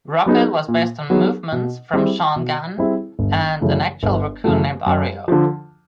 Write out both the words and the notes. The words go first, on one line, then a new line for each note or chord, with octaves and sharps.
Rocket was based on movements from Sean Gunn and an actual raccoon named Oreo.
F#3 B3 D#4 G#4
A#2
F#3 B3 D#4 G#4
B2
G3 C4 E4 G#4
B2
G3 C4 E4 G#4
G1
F#2 C#3 E3 A3
G1
F#2 C#3 E3 A3
F#2
D3 F3